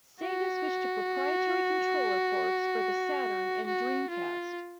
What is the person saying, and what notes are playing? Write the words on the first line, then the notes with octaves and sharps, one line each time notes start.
Sega switched to proprietary controller ports for the Saturn and Dreamcast.
F#4
F#4
F4